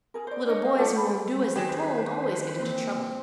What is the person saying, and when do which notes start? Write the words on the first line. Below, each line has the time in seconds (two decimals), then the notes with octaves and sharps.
Little boys who won't do as they're told always get into trouble.
0.14 G#4 A#4
0.27 C5 D5
0.47 D4 A#4 C#5 D#5
0.64 G#4 C5 F5
0.78 F4 A4 D5 F#5
0.94 C5 B5
1.56 D#3 G4 G#4 B4 C5 E7
2.58 A#3 C4